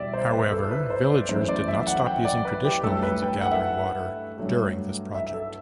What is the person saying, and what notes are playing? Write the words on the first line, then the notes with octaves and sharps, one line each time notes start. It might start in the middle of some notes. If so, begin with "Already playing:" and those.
However, villagers did not stop using traditional means of gathering water during this project.
Already playing: E2 B2 G3 D5 E5
C5
B4
A4
B4
C5
D5
F#2 E3 A3 C5
D5
E5
F#5
G5
D5
B4
G4
G2 F#3 A3 A4
B4
G5
F#5
E5
F#5
G2 F#3 A3
E5
A4